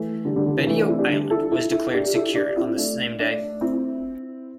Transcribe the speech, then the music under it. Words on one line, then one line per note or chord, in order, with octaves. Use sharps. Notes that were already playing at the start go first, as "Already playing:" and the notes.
Betio Island was declared secured on the same day.
Already playing: E3 A3
D3 G3
D3 G3
D3
C3 E3
E3 A3
A3 D4
C4 E4
D4 G4
D3 G3
E4 A4
E4 A4
E4 A4
D4 G4
G4
E4 A4
D4 G4
C4 E4
A3 D4
A3 D4
C4 E4